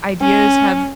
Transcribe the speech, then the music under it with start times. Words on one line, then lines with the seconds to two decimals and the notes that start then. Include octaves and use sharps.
ideas have
0.21 C#4